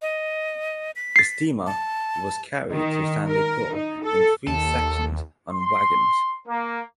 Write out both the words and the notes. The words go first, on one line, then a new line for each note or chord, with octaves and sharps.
The steamer was carried to Stanley Pool in three sections on wagons.
D#5
B6
A6 C7
A5
D#3
A#4
D#4
A4
D#2 A4
C6
A#3